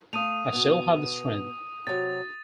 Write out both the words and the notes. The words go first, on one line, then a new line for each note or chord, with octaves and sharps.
I still had the strength.
A3 F5 D#6 D#7 F7
B2 B3
C3 F#3 A6